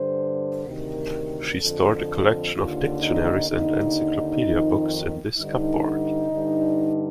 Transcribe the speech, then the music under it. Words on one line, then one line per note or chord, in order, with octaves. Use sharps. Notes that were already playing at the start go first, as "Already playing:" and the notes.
She stored a collection of dictionaries and encyclopedia books in this cupboard.
Already playing: G2 D3 C5
D2 C3 D#3 A#4
F2 D3 A4
D#2 D3 F4
D#4
D#2 D3 D#4
F2 D#3
G2 D3 D#4
G2 D3